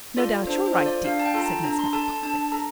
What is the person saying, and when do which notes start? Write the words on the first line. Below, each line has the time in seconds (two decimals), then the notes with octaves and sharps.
"No doubt you're right, dear," said Miss Mapp brightly.
0.17 F4 A4 D5
0.47 D4 C5
0.66 C5
0.76 F4 A4
0.86 D5
1.05 D4 F5
1.19 A5
1.25 G5
1.34 F4 A4 A#5
1.44 A5
1.64 D4 A#5
1.79 C6
1.93 A4 A5
2.08 A5
2.23 D4 A5
2.52 A4 A#5